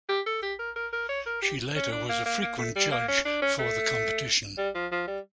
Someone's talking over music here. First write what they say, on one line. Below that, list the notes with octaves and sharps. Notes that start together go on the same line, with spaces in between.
She later was a frequent Judge for the competition.
G4
A4
G4
A#4
A#4
A#4
C#5
A#4
G4
C#4
D4
A#3
A#3
A#3
A3
G3
A#3
C#4
D4
C#4
A3
G3
F3
F3
G3